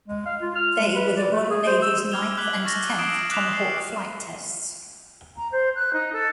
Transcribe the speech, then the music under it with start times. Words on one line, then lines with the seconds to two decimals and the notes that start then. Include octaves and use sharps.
They were the Royal Navy's ninth and tenth Tomahawk flight tests.
0.08 G#3
0.26 F5
0.42 F4
0.55 F6
0.79 G#3
0.95 B4
1.16 D5
1.32 A3
1.51 G#4
1.67 C5
1.82 E6
2.12 D6 E6 F6 G#6 F7 G7
2.37 D6 F#6 G#6 B6 F#7 G7
2.65 C#6 A6 A#6
2.98 D#6 E6 G#6 C7 D7 E7
3.30 D6 F#6 B6 E7 F7
3.51 D#6 C7
5.37 A#5
5.51 C5
5.75 F#6
5.93 D#4
6.12 A4